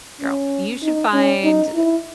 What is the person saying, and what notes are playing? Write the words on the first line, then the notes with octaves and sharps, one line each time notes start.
girl, you should find,
C#4
D#4
C#4
D#4
E4